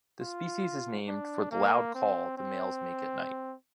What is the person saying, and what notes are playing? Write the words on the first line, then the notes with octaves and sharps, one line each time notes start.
The species is named for the loud call the males make at night.
F4
D4
A#3
C4
C4